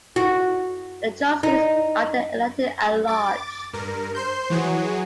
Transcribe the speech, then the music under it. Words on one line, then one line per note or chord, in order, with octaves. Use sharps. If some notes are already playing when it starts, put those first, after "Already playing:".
The trustees are then elected at large.
F#4
D#4
D6 A6
G2 A#4
C5 C6 G6
E3 F#3 F#4 G#4